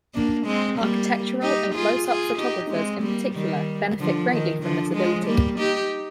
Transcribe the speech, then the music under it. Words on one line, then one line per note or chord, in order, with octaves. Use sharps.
Architectural and close-up photographers in particular benefit greatly from this ability.
A#3 D4
G#3 C4
G3 A#3
D#4 G4
F4 G#4
F4 G#4
D#4 G4
G#3 C4
G3 A#3
D#3 G3
D3 F3
D#3
D3 F3
F3 G#3
G3 A#3
D#4 G4